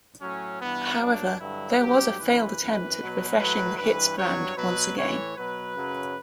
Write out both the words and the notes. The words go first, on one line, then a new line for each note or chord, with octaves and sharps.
However, there was a failed attempt at refreshing the "Hits" brand once again.
A2 F#3 C#4
G2 E3 B3
G2 F#3 D4
G2 D3 F#3 E4
G2 F#3 G4
F#2 E3 B4
F#2 E3
B2 F#3
A2 F#3 B4
G2 E3 B4
G2 F#3 C#5
B2 F#3 B4
A2 E3 C#5
B2 F#3 B4
F#2 C#3 F#3